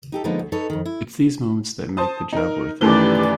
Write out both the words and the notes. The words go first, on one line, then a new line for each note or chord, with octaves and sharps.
It's these moments that make the job worth it.
D#4 G4 A4
D3 F3 G#3 A#3 B3 D#4
D2
D#4 A4 B4 C#5
F2 D#3
E4
C5 A5 D#6
D#4 A#4
F#2 D#3 E3 A3 G4 B4 D5 G7